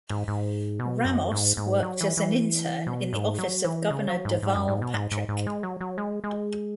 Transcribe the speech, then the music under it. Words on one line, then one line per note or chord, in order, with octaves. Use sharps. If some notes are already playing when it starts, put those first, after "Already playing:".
Ramos worked as an intern in the office of Governor Deval Patrick.
G#2
G#2
B2
F#2
G#2
G#2
F#3
E3
E3
B2
G#2
F#3
E3
C#3
F#3
G#2
G#2
F#2
G#2
B2
G#2
G#2
G#2
G#3
F#3
F#3
G#3
G#3